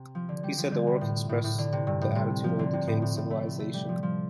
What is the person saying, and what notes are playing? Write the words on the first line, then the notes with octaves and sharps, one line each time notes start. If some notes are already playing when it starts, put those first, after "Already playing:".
He said the work expressed "the attitude of a decaying civilisation".
Already playing: C3
F3
D3
G3
F3
D3
C3
A2
A2
A2
D3
C3
G2
A2
C3
F3
D3
C3
A2
A2
A2
A3
A3
G3
F3
F3